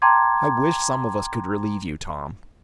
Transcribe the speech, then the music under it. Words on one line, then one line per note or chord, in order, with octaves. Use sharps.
"I wish some of us could relieve you, Tom."
G5 A5 A#5 C6 D6 G#6